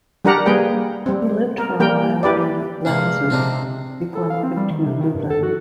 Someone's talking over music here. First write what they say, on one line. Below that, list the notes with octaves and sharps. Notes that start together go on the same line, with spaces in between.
He lived for a while in Lantzut before moving to Lublin.
G3 D4 G4 A#4 F#5 A#5
G3 A#3 G#4 B4 G5
G3 C4
A#4
G3 A#3 A#4 G5
E4 G4 B4 D5
G2 C3 G#3 A#3 F5 F#5
C3 C4 D4 D#4
A4
F5
C4
G3
D#3
C3
D#3
G2
A4
F#4